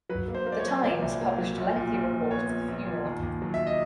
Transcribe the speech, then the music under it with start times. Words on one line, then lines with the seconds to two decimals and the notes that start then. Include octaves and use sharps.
The Times published a lengthy report of the funeral.
0.09 F#3 B4
0.28 A#3
0.35 C5
0.46 A#3
0.52 D5
0.59 C#5
0.65 F#3
0.83 A#2 D5
1.02 C2
1.21 A#3
1.38 F#3
1.58 A#1
1.76 A#2
1.94 A#1
2.13 A#1
2.30 B3 C#5
2.49 A#1
2.69 A#1
2.86 A#2
3.05 D#2
3.23 D#2
3.42 F#3
3.54 E5
3.67 D#5